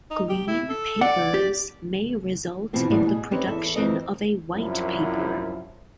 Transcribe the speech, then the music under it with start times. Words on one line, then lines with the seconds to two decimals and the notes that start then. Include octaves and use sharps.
Green papers may result in the production of a white paper.
0.10 D#4
0.29 G4
0.48 E4
0.69 A4
1.01 D5 F#5
1.34 G4
2.73 B2 E3 F3 C4 F4
2.90 A2 C#3 E3 G3 A#3 B3
3.05 B2 F#4 G#4
3.31 C4 C#4 D#4 G4 B4 C#5
3.47 E2 A4 E5
3.76 F2 E3 C4 A#4 D#5
4.53 C2 F#2 F3 E4